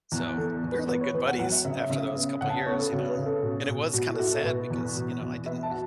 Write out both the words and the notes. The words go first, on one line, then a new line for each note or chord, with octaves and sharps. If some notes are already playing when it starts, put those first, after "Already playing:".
So, we were like good buddies after those couple years, you know, and it was kinda sad because, you know, I didn't
E2
E2 A4
E2
B4
B3 B4
C#5
E2 B4
F#5
F#3 F#5
E5
C#3 E5
E5
C#3 E5
B3
C#3 F#5
A5
F#5
B3 C#5
A4
C#3 F#4
B4
C#3
A4
B2
B2
B2 F#4
E4
A4
E4 F#4
A4
B2 B4
E2
B2
E2
B3 E5
A5
F#4